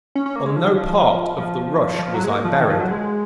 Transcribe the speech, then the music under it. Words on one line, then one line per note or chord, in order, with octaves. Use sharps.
On no part of the rush was I buried.
C#4
C#4
A#3
G#3
F3
D#3
F3
F3
F3
F#3
G#3
A#3
F3
D#3
F3
F#3
G#3